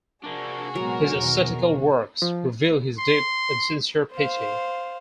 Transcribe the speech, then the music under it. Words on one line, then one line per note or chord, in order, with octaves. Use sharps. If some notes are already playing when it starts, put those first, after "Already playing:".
His ascetical works reveal his deep and sincere piety.
C3 A#3 D4 F#4 G#4
A#2 F#3 G#3 B3 A#4
E2 B2 D#3
F3
C6
C5 F5